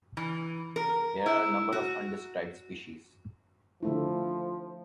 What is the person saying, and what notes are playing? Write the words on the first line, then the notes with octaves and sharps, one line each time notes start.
There are a number of undescribed species.
E3
A#4
E4
F#4
D3 F3 A3 E4